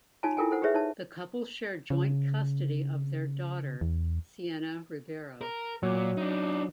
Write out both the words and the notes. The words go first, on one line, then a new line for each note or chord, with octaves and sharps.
The couple share joint custody of their daughter, Sienna Ribeiro.
D#4 F4 F#4 C#5 G#5 A5
E4 F4 A4 A#4 G5 G#5
A4 C5 F#5
G4 G#4 B4 C#5 E5
D#4 C#5 A5
C#3
E2
A#4
A#2 F#3
D4 D#4